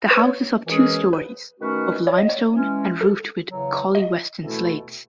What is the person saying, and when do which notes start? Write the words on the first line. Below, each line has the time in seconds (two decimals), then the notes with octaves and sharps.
The house is of two stories, of limestone and roofed with Collyweston slates.
0.11 B4
0.19 C#5
0.66 F#2 E3 G#3 C#4 G#4
1.13 B4
1.60 D#3 A3 C#4 F#4 B4
2.07 C#5
2.18 D#5
2.29 C#5
2.53 E3 G#3 C#4
3.01 A4
3.48 E2 C#3 F#3
3.95 D#5
4.42 E2 B2 A3 E4 A4